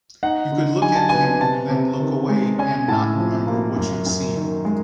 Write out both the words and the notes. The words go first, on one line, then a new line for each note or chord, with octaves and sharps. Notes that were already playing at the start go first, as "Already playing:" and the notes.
You could look at him then look away and not remember what you'd seen.
D#4 F#5
D3
F#3 G#5
A5
B3 G#5
C3 A5
C3
D#3
G#3
C#4 G#5
A2 A5
F3
A#3
F#2
F#2
D#3
G#3